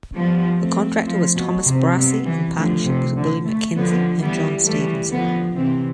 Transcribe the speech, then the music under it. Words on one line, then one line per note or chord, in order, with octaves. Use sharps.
The contractor was Thomas Brassey in partnership with William Mackenzie and John Stephenson.
F3 G3 B3
A3 C4
F3
B2
C3
C3 G3 B3
E3
D3 F3 A3
C3
D3
A3
D3 F3 B3
E3 G3 B3
E3 G3 A3
D3 F3 B3
C3 E3 C4